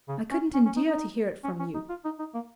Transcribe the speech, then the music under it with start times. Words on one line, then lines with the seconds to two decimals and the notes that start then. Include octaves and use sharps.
I couldn't endure to hear it from you.
0.09 C#3
0.31 C#4
0.54 C#4
0.66 C#4
0.77 D#4
0.88 D#4
1.44 C#4
1.60 C#4
1.74 D#4
1.89 F4
2.05 D#4
2.19 D#4
2.34 A#3